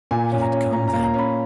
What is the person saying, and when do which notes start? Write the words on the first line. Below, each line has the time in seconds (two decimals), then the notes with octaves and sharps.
He had come then.
0.11 A#2 G#5
0.32 C#4
0.42 A#5
0.52 C#4
0.73 C#4 A#5
0.88 A#5
0.93 A#3
1.04 A#5
1.14 C#4 B5